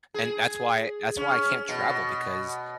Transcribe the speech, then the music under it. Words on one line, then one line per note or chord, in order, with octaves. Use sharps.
And that's why that's why I can't travel because
G#4
C#4
B2